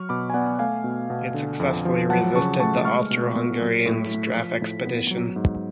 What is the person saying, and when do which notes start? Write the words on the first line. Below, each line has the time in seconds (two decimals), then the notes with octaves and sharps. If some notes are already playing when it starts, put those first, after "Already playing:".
It successfully resisted the Austro-Hungarian Strafexpedition.
Already playing: F#3 C#6 F6
0.09 B2 B5 D6
0.30 G#5
0.34 B3 D5 F#5
0.59 A3 F5 G#5
0.84 B2
1.10 B2
1.34 D3
1.60 F2
1.85 F3
2.10 F#3 F#5 A5
2.35 C#3 A5 C#6
2.60 A3 A5 C#6
2.85 G#3 C#6 F6
3.11 B2
3.35 B3
3.61 F#3
3.86 A2
4.11 A3
4.36 F3
4.61 A2
4.85 B3
5.11 F#3
5.36 G#2